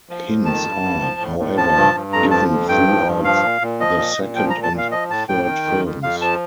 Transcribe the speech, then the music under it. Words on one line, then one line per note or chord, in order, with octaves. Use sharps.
Hints are, however, given throughout the second and third films.
F3
F2
D#3 A5
G2
G2
F3
A2
A2
F3 A5
G2
G2
F2 A#5
F3 A5
F2
G2 G5
F3
G2
F3 F5
A#2
A#2
F3 D#5
A#2
A#2
F3 G5
A#2 A#5
A5
A#2 F5
F3 D#5
A2 A5
A2 G5
D#3
F2
F2
F2 F5
F3 A5